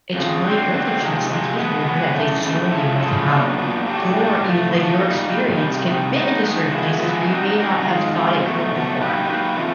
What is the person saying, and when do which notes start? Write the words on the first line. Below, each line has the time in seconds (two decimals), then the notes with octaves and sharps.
it's really good like, ChatGPT is really good at, like, showing you, like, how your, even like, your experience can fit into certain places where you may not have thought it could before.
0.14 F2 C#3 F3
0.43 D3 F#3 A3 C4
0.72 D3 F#3 A3 C4
1.00 F2 C3 D#3 G#3
1.29 F2 C3 G#3
1.57 B2 G#3 B3
1.85 B2 G#3 B3
2.14 F#2 C#3 E3 A3
2.43 F#2 C#3 E3 A3
2.72 F3 G#3 C#4 E4 A4
3.00 F3 G#3 C#4 E4 A4
3.29 A#2 F#3 B3 D4
3.57 A#2 F#3 B3 D4
3.86 A2 F#3 A3 D4 G4
4.14 A2 F#3 A3 D4 G4
4.43 A2 F3 A3
4.71 A2 F3 A3
5.00 A#2 G3 A#3 D#4
5.29 A#2 G3 A#3 D#4
5.57 C3 D#3 G3
5.86 C3 D#3 G3
6.14 D#3 G#3 B3 D#4
6.43 D#3 G#3 B3 D#4
6.71 F3 G#3 B3 E4 G#4
7.00 F3 G#3 B3 E4 G#4
7.28 G3 C4 D#4 F#4 A#4
7.57 G3 C4 D#4 F#4 A#4
7.86 D#3 G#3 C4 F4
8.14 D#3 G#3 C4 F4
8.43 B2 F#3 A3
8.72 B2 F#3 A3
9.00 F#3 A#3 D#4 G4 B4
9.28 F#3 A#3 D#4 G4 B4
9.57 E3 A3 C4 F4